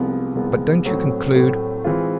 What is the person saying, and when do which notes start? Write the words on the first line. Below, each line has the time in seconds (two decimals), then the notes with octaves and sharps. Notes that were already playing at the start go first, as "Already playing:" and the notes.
"But don't you conclude--?"
Already playing: C2 C3 F3 G#3 B3
0.35 C2 C3 F3 G#3 B3
0.85 A2 F#3 A3 C4
1.34 A2 F#3 A3 C4
1.84 E3 G#3 C4 F4